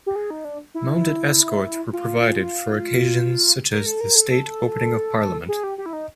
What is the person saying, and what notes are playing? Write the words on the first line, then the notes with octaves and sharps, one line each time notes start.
Mounted Escorts were provided for occasions such as the state opening of Parliament.
G4
G#4
D#4
D4
E4
F4
A#4
A4
A#4
A4
A4
G#4
G4
G4
E4
D#4